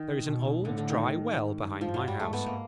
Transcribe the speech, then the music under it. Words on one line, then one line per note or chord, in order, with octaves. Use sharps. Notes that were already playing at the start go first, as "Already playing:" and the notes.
'There is an old, dry well behind my house.
Already playing: D#3
B2
A2 D3
D3
D#3
G#2
G2 F3
F#3
G3
G#2 A3
A3 B3
A#3